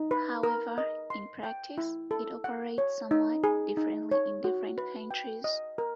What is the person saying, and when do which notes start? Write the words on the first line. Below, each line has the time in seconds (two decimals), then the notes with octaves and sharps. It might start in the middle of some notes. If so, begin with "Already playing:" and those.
However, in practice it operates somewhat differently in different countries.
Already playing: D#4
0.11 B4
0.43 A#4
0.78 D#5
1.10 C6
1.44 G5
1.78 E4
2.11 A4
2.44 F#5
2.78 C#5
3.11 D#4
3.44 G#4
3.77 D#4
4.11 C#5
4.44 F#4
4.78 B4
5.11 G5
5.44 D#5
5.78 A#4